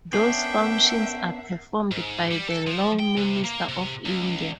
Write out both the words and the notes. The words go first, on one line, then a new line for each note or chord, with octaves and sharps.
Those functions are performed by the Law Minister of India.
B3 C#4 D4 A#4 E5 F#5 G5 C7
G#2
G3
A4
F3
G5
C3
A#3
C3
C#2